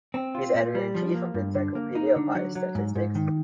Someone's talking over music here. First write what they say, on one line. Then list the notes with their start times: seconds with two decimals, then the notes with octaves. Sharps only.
He is editor-in-chief of the "Encyclopedia of Biostatistics".
0.14 C4
0.35 F4
0.54 A#2
0.75 G3
0.95 F3
1.14 A#3
1.34 G2
1.55 D3
1.75 A#3
1.95 D#4
2.16 D3
2.35 F#3
2.55 F#3
2.75 G#2
2.95 G#2
3.15 D#3